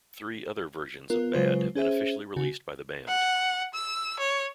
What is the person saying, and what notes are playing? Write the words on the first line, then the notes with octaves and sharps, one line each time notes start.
Three other versions of "Bad" have been officially released by the band.
B3 F4 A#4
C#3 F#3 G#3 F4 B4 C5
C#4 G#4 C5 E5
C#3 F#4
F#5
E6
C#5